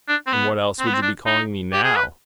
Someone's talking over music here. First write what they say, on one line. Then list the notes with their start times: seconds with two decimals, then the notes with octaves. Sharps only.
"And what else would you be calling me now?"
0.08 D4
0.27 C4
0.33 B3
0.79 C4
0.86 B3
0.93 C4
1.02 D4
1.26 D#4
1.73 G4
1.84 G#4
1.96 B4